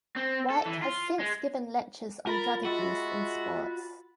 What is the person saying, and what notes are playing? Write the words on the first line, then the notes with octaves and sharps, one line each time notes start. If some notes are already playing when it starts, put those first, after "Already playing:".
White has since given lectures on drug abuse in sports.
C4
A4
E3
F4
G#3
F4 A#4 B5 A6
G#3 F#4 E5